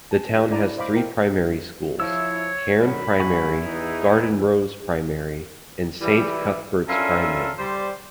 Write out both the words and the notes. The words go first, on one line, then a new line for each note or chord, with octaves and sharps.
The town has three primary schools: Cairn Primary, Gardenrose Primary and Saint Cuthberts Primary.
G#5 A5
D4 E4 D5 A#5
C5 D#5 F5 B5 D6
E4 A#4 G5
F3 E4 C#5 E6
D3 D#3 F#3 B5
E2 E4 F#5 G#5 C#6
E3 D#4
E3 G3 E4
C#4 D4 E4 F4 A4 A#4
G3 C5 D5